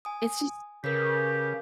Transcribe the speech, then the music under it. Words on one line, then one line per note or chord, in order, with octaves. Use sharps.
it's just
G#5 D#6
C#3 G4 A#4 B4 B6